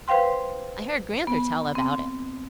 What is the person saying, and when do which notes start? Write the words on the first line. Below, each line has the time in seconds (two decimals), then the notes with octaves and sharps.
I heard Gran'ther tell about it.
0.08 B4 C5 F5 G5 C6
1.27 B3
1.75 C4